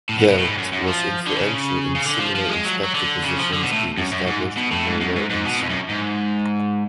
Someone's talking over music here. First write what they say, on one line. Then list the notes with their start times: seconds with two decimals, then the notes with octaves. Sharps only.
Hjelt was influential in similar inspector positions being established in Norway and Sweden.
0.09 A2
0.18 B2
0.29 B2
0.38 A2
0.48 G#2
0.58 F#2
0.73 F#2
0.88 F3
1.27 D3
1.37 C#3
1.95 C#3
2.06 D3
2.20 F3
2.35 F3
2.50 G#3
2.65 F#3
2.84 F#3
2.95 D3
3.24 C#3
3.39 F3
3.53 D3
3.63 B2
3.73 A2
3.98 F#2
4.12 F#2
4.27 G#2
4.57 B2
4.71 A2
4.86 G#2
5.01 F#2
5.16 G#2
5.30 G#2
5.45 B2
5.60 F2
5.70 F#2
5.89 G#2